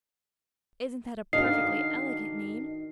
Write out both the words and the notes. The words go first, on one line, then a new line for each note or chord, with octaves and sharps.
Isn't that a perfectly elegant name?
D#3 D4 F#4 A4 D#5 F5 C7